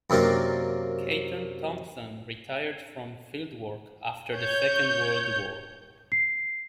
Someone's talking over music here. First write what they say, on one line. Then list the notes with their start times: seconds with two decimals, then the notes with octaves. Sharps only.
Caton Thompson retired from fieldwork after the Second World War.
0.10 F#2 C3 A#3 D4
4.34 C#5 G6
6.12 C7